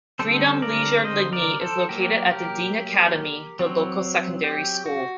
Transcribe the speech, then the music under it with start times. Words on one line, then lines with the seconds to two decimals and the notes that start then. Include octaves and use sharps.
Freedom Leisure Lydney is located at the Dean Academy, the local secondary school.
0.19 D3 G3 C4 A4 C5
0.62 A#4 D5
1.04 C5 D#5
1.33 A#4 D5
1.61 A4 C5
1.89 F#3 A#3 G4 A#4
2.31 G4 A#4
3.59 F#3 C4
4.44 G4
4.86 F#4